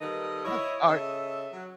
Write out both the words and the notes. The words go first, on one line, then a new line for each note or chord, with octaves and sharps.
Well, I
D#3 G3 A#3 A4 B4 D#5
E4 C#5 D#5
C#3 A4 D#5 E5
F#3